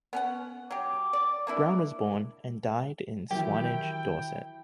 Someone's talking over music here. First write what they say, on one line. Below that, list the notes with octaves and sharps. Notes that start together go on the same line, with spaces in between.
Brown was born and died in Swanage, Dorset.
B3 C#4 F#5
F#3 G4 D6
D5
A#3 D4 E4
D#3 E3 F#3 E4 G4 G5